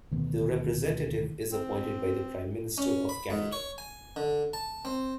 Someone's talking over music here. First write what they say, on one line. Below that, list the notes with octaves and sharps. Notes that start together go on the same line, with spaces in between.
The representative is appointed by the Prime Minister of Canada.
D2 B2 D#3 B3
C4
C#4
B5
G#2
C#5
G#5
D3
A5
C4